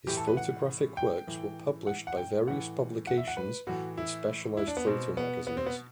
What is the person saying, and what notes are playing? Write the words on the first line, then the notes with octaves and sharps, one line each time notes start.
His photographic works were published by various publications and specialized photo magazines.
A2 E3 G4
A4
B4
F#5
G5
A2 E3
F#5
F#5
G5
A2 E3 F#5
F#5
E5
F#5
B4
A2 E3 F#4
E4
E4
D4
B3
B2 C4
B3
B3
C4
B3